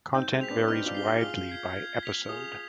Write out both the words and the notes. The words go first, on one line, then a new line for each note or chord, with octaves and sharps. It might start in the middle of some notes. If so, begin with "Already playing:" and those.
Content varies widely by episode.
C4 D#4 G6
G#3 C4
B6 F7
B3 D4
C4 D#4 F6
D4 F4
C7 G7
D#4 G4
F4 G#4 F6
G#6 C7
G#6
B6 F7
F4 G#4 D#6